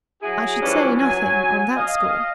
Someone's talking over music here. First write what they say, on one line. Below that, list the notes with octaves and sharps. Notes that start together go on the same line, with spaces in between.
"I should say nothing,--on that score."
F#3 E4 F#4 G#4
E3 F3 G3 C#4 D4
F#3 G#5
D#5 F5